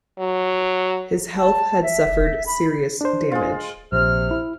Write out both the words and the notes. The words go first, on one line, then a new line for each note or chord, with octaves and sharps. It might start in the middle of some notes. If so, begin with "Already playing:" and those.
His health had suffered serious damage.
F#3
A5
E5
B5
D4 C5
G#3 F4
A#1 C3 F6
E4